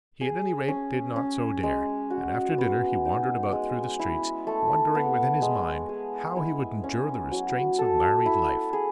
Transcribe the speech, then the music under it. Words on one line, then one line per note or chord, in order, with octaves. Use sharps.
He at any rate did not so dare;--and after dinner he wandered about through the streets, wondering within his mind how he would endure the restraints of married life.
G#4
C#4
C#4
G#3
F#4
B3
D#4
G#3
E4
A3
B3
G#3
G#4
E4
C#4
F#3
A4
E4
G#4